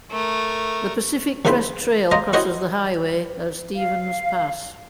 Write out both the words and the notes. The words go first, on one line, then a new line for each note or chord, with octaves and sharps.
The Pacific Crest Trail crosses the highway at Stevens Pass.
A3 A#4
D#2 C#3 C4 E4 C5 B5
C5 D#5 F5 A#5
C4 E4 F#4 C5 C#5 D#5
F5